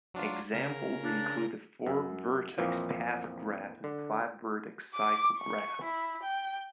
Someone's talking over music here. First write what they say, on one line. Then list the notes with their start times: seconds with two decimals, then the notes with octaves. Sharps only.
Examples include the four-vertex path graph and five-vertex cycle graph.
0.14 F#3 D4 F4
0.53 C#3 A#4 A#6
1.04 D4
1.86 F#2
2.58 F2 A#2 E3 F3
3.84 D3
4.95 D6
5.38 C#6
5.84 E4
6.23 G5